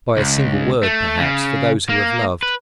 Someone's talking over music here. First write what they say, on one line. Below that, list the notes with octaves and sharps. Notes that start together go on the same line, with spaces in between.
By a single word, perhaps, for those who have loved.
C#2
A3
C#3
A#3
B4